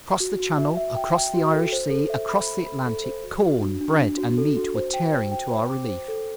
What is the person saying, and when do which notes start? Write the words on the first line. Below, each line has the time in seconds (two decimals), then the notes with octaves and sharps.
Across the Channel, across the Irish Sea, across the Atlantic, corn, bread, and meat were tearing to our relief.
0.20 F#4
0.40 F#4
0.58 E5
0.77 E5
0.96 G5
1.15 G5
1.34 F#4
1.53 A4
1.72 C5
1.90 A4
2.10 E5
2.29 B5
2.47 B5
2.66 B5
2.86 A4
3.04 C5
3.24 F#4
3.42 F#4
3.61 D4
3.81 D4
3.99 D4
4.18 F#4
4.38 A4
4.57 F#4
4.75 C5
4.94 G5
5.14 C5
5.32 G5
5.51 C5
5.70 D6
5.89 C5
6.08 A4